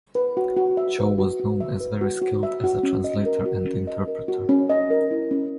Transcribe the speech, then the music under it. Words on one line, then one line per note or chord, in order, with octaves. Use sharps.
Choe was known as very skilled as a translator and interpreter.
B4
F#4
F#4
E5
B4
F#4
F#4
E5
B4
F#4
F#4
E5
F#4
C#4
D#5
A#4
F#4
C#4
D#5
A#4
F#4
C#4
D#5
A#4
E4
C#4